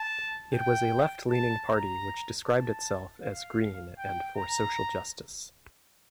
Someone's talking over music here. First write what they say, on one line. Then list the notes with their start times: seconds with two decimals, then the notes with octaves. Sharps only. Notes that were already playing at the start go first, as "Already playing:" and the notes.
It was a left-leaning party which described itself as green and for social justice.
Already playing: A5
0.54 G5
1.31 A5
1.69 A#5
2.45 A5
3.22 F5
3.99 G5
4.37 A#5